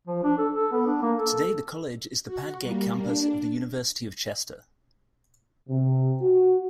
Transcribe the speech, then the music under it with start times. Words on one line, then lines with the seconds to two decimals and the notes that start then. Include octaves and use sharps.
Today the college is the Padgate Campus of the University of Chester.
0.07 F3
0.24 D4
0.38 A4
0.55 A4
0.72 B3
0.86 D4
1.02 A#3
1.18 A4
2.26 F#4
2.62 G3 A#3
3.00 D4
5.68 C3
6.21 F#4